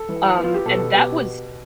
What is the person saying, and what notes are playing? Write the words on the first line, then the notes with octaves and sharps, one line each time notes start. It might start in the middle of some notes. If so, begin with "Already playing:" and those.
Um, and that was
Already playing: A4
E3
B3
F4
G4
B2 A4
B2 G4